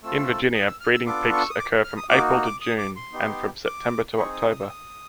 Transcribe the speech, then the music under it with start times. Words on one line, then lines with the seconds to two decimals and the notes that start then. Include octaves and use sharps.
In Virginia breeding peaks occur from April to June and from September to October.
0.02 A3 C4 F4 A4 E6
0.54 D#6
0.67 E6
0.81 F6
0.94 E6
1.06 B3 D4 F4 A4 D6
1.32 C#6
1.41 E6
1.50 D#6
1.59 D6
1.84 F6
1.97 D#6
2.09 A#3 D#4 F#4 D6
2.44 D6
2.61 D#6
2.78 D6
2.96 C6
3.13 B3 D#4 G4
3.65 D6
4.17 C4 D#4 G#4 C#6
4.34 D#6
4.51 D#6
4.60 E6
4.68 D#6